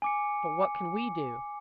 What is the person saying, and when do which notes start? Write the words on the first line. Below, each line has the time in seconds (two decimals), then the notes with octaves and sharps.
But what can we do?
0.02 G#5 D6 C#7